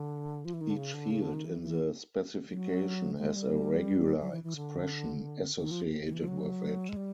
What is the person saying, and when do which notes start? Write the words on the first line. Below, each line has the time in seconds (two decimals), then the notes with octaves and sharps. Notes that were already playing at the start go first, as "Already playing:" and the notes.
Each field in the specification has a regular expression associated with it.
Already playing: D3
0.45 F3
0.54 E3
0.61 D#3
0.70 D3
0.76 C#3
0.94 D3
1.11 C#3
1.22 D3
1.34 D#3
1.45 E3
1.62 E3
2.49 F#3
3.17 G#3
3.35 G3
4.21 F#3
4.32 E3
4.44 E3
4.56 D3
5.59 D#3
5.71 F3
6.06 D#3
6.13 E3
6.20 F3
6.28 F#3
6.89 G#3
6.97 G3